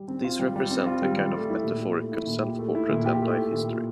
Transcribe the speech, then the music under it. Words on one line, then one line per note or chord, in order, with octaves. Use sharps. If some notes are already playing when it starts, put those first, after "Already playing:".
These represent a kind of metaphorical self-portrait and life history.
Already playing: G3
C4
F4
G3
G3
C4
F4
G3
G3
A3
E4
A#2
G4
A3
E4
A#2
G4
A3
E4
A#2
G4
A3
E4
A#2
G4